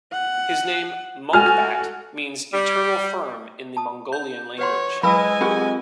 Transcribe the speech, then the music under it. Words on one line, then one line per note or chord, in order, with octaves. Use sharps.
His name Monkhbat means "Eternal firm" in the Mongolian language.
F#5
F#4 A4 G#5 F6
G3
A5 D#6
G6
B4 C#5 F#5 C6
F#3 G#3 B4 F5 G#5 B5 E6
C4 F4 G4 G#4 G5